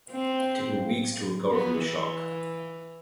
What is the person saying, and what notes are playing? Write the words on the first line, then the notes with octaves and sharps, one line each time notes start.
It took me weeks to recover from the shock.
C4
B3
E3